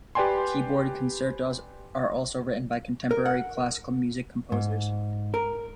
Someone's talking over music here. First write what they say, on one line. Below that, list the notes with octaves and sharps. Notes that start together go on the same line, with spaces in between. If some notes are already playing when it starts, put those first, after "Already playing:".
Keyboard concertos are also written by contemporary classical music composers.
G4 B4 D5 G5 G#5 C6
A#4
F#5
G#2
A#4